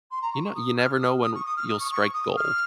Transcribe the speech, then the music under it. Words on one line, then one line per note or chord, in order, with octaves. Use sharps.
you kno you never know when r you'll strike gold.
C6
A#5
C#6
C#6
D#6
F6
F6
D#6
D#6
C#6
D#6
F6
D#6
C#6
C#6
D#6
F6